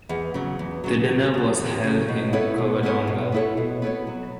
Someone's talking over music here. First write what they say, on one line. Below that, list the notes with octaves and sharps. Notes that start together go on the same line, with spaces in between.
The dinner was held in Covadonga.
E2
C#3 F#3
E2
C#3 F#3
E2
C#3 F#3
E2
C#3 F#3
B2
B3 E4 A4 C#5
B2
B3 E4 A4 C#5
B2
B3 E4 A4 C#5
B2
B3 E4 A4 C#5
F#3